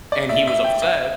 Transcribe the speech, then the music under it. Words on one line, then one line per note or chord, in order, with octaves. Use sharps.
and he was upset
D5
E5
E5
G5
E5